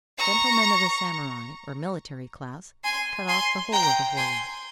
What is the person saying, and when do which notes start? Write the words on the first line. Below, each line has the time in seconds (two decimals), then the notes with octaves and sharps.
Gentlemen of the Samurai or military class cut off the whole of the forelock.
0.18 A#5 C#6
2.83 G#5 C6
3.28 G#5 C6
3.72 G5 A#5
4.16 G#5 C6